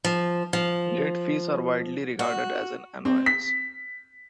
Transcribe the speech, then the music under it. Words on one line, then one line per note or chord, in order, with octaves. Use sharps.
Late fees are widely regarded as an annoyance.
F3
F3
F#4
C4
B6